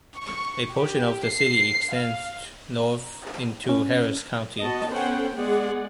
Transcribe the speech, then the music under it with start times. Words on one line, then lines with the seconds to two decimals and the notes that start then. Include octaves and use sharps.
A portion of the city extends north into Harris County.
0.18 C#6
0.72 G4
1.28 C7
1.93 F5
3.69 C#4
4.61 B3 F#4 D#5 A5
4.90 B3 C#4 A4 C5 F#5 G5
5.36 G#3 B3 G#4 D5 F#5